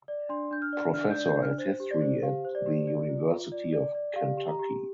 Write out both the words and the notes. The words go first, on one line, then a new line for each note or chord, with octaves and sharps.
Professor of History at the University of Kentucky.
D5
D4 C6
D4 G6
F6
D5
D4 F6
G6
D5
G6
D4
F6
C5
G4
D5
C5
G4 F5
C5
D5
G4
D5
F4
F4
D5
D5
D5
G4 F5
G4
A#5
G4